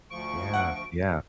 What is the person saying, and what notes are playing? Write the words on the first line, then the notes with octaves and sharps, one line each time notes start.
yeah, yeah.
D2 F3 C#6 D7
F#5